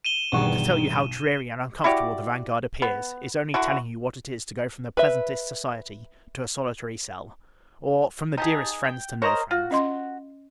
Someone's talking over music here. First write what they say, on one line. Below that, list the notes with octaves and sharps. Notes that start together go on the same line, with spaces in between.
To tell you, how dreary and uncomfortable the Vanguard appears, is only telling you, what it is to go from the pleasantest society to a solitary cell; or, from the dearest friends, to no friends.
D#7 E7 G7
B1 E2 G2 D#3 F#5 C#6
E4 F#4 G4 D5
B3
D3 E4 F#4
B4 E5
D#4 G4 G#4 A5
G5
A#4 C5 C#5 D#5 A#5
F4 F#4
C#4 D#5 C6